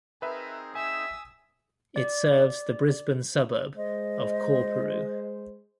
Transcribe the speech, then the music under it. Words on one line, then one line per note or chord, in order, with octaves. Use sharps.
It serves the Brisbane suburb of Coorparoo.
C4 D#4 G#4 A#4 B4 E5
E5 G#5 D#6 E6
D5
G#3 C5 D#5